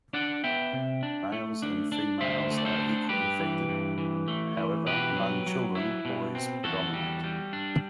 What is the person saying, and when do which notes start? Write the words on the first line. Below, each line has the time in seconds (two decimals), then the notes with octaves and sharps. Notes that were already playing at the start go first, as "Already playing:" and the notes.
Males and females are equally affected; however, among children, boys predominate.
0.13 D4 D5 F#5
0.44 B3 E5 G5
0.73 C3
1.03 D4
1.32 A3
1.62 D4
1.92 D4
2.21 D2 C5 E5
2.51 A3
2.58 D5
2.65 A4 C5
2.80 D4
3.09 G2 G4 B4
3.39 E3
3.69 G2
3.98 E3
4.28 A3
4.57 E3
4.86 B2 G4 B4
5.16 F#3
5.46 F#3
5.75 E4
6.05 B2
6.35 C4
6.64 E2 F#4 A4
6.93 G3
7.24 G3
7.53 D4